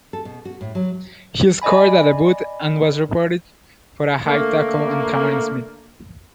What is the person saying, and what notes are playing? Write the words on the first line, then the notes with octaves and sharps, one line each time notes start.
He scored on debut and was reported for a high tackle on Cameron Smith.
A4
B2
F#4
A2
F#3
D5 D#5 G#5 B5
D3 A3 A#3